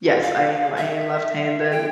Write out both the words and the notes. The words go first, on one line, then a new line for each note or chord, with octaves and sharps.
Yes, I am, I am left-handed,
F5
E5
G5